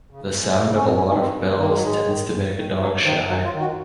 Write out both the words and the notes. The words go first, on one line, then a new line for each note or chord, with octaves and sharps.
The sound of a lot of bells tends to make a dog shy.
C#3
F#2
C#3
C#4
F2 C4
C#4
D#3 C#4
C4
F2
D#3 A#3
G#3
F#3
G#2 G#3
D#3
G#2
D#3
F#2 F#3
D#3 F3
F#2 F#3
F4
D#3
F#4